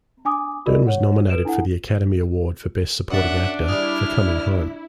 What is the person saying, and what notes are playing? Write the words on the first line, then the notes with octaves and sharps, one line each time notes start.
Dern was nominated for the Academy Award for Best Supporting Actor for "Coming Home".
D4 G#5 D6 D#6
F#4 G#4 A#4 D5 D#5
C#5 F#5
A4 B4 D7 E7
D4 E4 A4 F#5
F#2 D4 E5 F#5 A5
G3 E4 G#4 F6